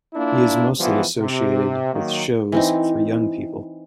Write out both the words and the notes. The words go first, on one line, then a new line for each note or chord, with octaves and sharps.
He is mostly associated with shows for young people.
A#3 D4 E4 F4
E3 F3 G3 B3
C3
D#3 F#3 A#3
E3 C4 D#4